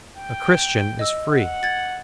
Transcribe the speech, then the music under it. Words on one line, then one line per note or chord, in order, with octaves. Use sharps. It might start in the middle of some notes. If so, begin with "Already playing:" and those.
A Christian is free.
G5
D#5 E6
F#5
G#6 A6